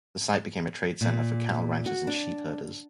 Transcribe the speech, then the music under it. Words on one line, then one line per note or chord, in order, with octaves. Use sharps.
The site became a trade center for cattle ranchers and sheepherders.
A#2
F#4
D4